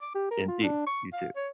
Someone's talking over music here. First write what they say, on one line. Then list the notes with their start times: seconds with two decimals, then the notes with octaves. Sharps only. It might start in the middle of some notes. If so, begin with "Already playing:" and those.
Indeed, you too.
0.01 D6
0.14 G4
0.31 A#4
0.48 F4
0.63 D4
0.86 C#6
1.13 F5
1.35 C#5